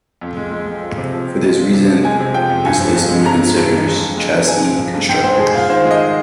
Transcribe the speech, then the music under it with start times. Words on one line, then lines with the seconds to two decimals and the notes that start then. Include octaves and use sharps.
For this reason, this list only considers chassis constructors.
0.21 F2
0.37 G#3
0.52 G#3
0.66 G#3
0.82 F3
0.97 C3
1.13 F3
1.28 C3
1.43 G#3
1.58 F2
1.74 C3
1.89 F3
2.04 G#3 G#5
2.20 C3
2.34 F3 G5
2.50 F2
2.65 G2 G#5
2.80 F3
2.96 G2
3.11 G#3
3.25 G2 A#5
3.41 F3
3.57 G2
3.72 G#3
3.87 F3
4.02 G2
4.17 G#3
4.33 F3
4.48 F3 G#5
4.64 G#3
4.78 F3
4.94 G2
5.09 G#2 G5
5.24 G#3 C5
5.39 G#2 G#4
5.54 G#2 F4
5.70 D#3 C5
5.85 G#3
5.91 D#5